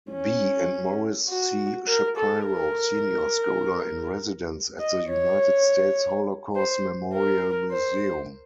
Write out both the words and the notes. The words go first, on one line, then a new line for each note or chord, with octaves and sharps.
B. and Maurice C. Shapiro Senior Scholar-in-Residence at the United States Holocaust Memorial Museum.
C#4
F#4
A#4
A4
A#4
D#5
C#5
C5
A#4
C5